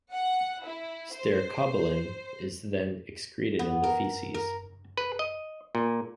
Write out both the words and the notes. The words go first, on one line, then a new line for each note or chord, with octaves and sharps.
Stercobilin is then excreted in the feces.
F#5
E4
C5
B3
A#4
A#4
B4
D#5
A#2